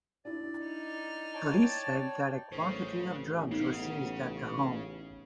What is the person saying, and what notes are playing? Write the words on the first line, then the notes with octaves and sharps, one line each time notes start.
Police said that a quantity of drugs were seized at the home.
D4 E4 D5
D#4 F6
C#5 D5 G5 A5
A1 C#3 C5
C#3 B3 D#4